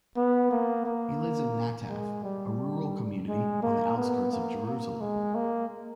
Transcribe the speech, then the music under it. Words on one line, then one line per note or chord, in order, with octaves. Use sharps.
He lives in Nataf, a rural community, on the outskirts of Jerusalem.
B3
A#3
A#3
G#3
G3
G#3
A#3
B3
A#3
A#3
G#3
A#3